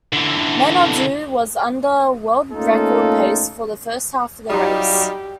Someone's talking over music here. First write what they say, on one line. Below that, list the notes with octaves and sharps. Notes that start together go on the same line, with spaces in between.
Manaudou was under world record pace for the first half of the race.
D3 E3
A3 A#3 C#4 D#4 F4 A4
F#3 G3 D#4 F4 G4